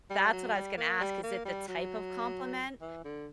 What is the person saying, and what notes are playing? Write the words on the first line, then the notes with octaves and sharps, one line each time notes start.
that's what I was gonna ask, is it the type of compliment
G3
F#3
G3
A#3
G3
A#3
G3
F#3
E3
D3